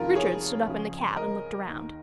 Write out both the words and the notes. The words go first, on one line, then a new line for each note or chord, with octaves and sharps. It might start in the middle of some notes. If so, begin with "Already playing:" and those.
Richard stood up in the cab and looked around.
Already playing: F1 F2 D#3 F4 A#4
G#4 C#5
C#2 C#3 F3
A#4 D#5
D#2 D#3